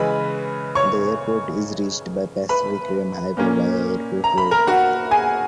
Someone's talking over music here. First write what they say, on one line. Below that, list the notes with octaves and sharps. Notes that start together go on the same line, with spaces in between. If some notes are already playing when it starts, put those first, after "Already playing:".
The airport is reached by Pacific Rim Highway via Airport Road.
Already playing: C#3 E3 G#3 C#4 B4 B5
C#5 C#6
B4 B5
A#2 A#3 C#4
A#5
B5
A#4 A#5
F#4 F#5
G#4 G#5